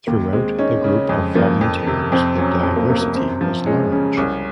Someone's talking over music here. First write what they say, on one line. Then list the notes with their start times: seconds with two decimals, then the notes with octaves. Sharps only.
Throughout the group of volunteers the diversity was large.
0.07 D#2 A#3
0.32 G#3 C4
0.59 C#4 D#4
0.84 C#3
1.09 F2 G#3
1.35 F3 A#3
1.61 F2
1.86 C3
2.12 F2 C4
2.38 F#3 C#4
2.63 F2 C4
2.76 A#3
2.89 C3 A#3
3.02 A#3
3.15 F#2 C4
3.41 F3
3.66 G#3 C#4
3.92 C#3 C#4
4.17 C2 C#4